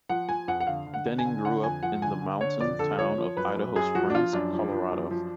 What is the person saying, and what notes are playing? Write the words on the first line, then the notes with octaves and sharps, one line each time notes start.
Denning grew up in the mountain town of Idaho Springs, Colorado.
F3 F#5
F3 G#5
F2 F#5
F#5
D3 F5
D3
F#5
D3
G#5
D3
D3 F#5
F2 G#5
F3 F#5
D3 G#5
D3
D3 C#5
F2 D5
D3 A4
F3 C#5
F3
F#2 B4
F#2
F#2 G#4
F3 F#4
D4
F3 F4
F#2 D4
F3
F3
F#2
F3